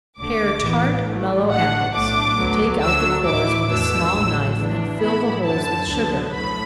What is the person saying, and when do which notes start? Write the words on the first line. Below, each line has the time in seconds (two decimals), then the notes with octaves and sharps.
Pare tart, mellow apples--take out the cores with a small knife, and fill the holes with sugar.
0.18 D2 D3 A3 D6
0.62 A1 A2 E3 B3
1.06 A1 A2 A3
1.49 A2 A3 D4 F#5
1.93 B1 A2 A3 D4 D6
2.37 D2 D3 F#3 B3
2.81 D2 D3 F#3 D4 E6
3.25 A2 F#3 A3 E4 D6
3.69 E2 B2 A3 D4 E6
4.13 A1 A2 F#3
4.57 E2 E3 D4
5.01 A2 E3 B3 E4 B5
5.45 F#2 D3 F#3 A5
5.88 D2 D3 F#3 B3
6.32 B1 A2 F#3 B5